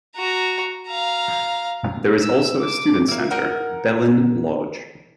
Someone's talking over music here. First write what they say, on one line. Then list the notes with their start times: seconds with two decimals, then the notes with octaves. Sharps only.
There is also a student center, Belin Lodge.
0.17 F#4 A#5
0.88 F5 A#5
2.22 E6
2.61 D6
3.08 A#3 E4
3.30 D#4 A#4 F#5 A#5